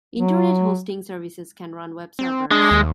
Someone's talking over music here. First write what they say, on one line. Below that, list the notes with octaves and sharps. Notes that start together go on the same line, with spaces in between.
Internet hosting services can run Web servers.
F#3
C4
G#3 D4
D#2